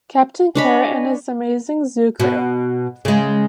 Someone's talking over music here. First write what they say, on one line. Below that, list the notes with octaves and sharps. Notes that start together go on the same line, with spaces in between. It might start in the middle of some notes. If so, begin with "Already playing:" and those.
Captain Carrot and His Amazing Zoo Crew!
D4 C#5 D#5 G#5 B5
B2
C#3 G#3